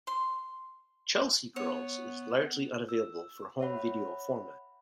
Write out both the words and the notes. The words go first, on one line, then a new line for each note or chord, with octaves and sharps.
"Chelsea Girls" is largely unavailable for home video format.
C6
B3 C#5
E6
C#5 E5 F#5 B5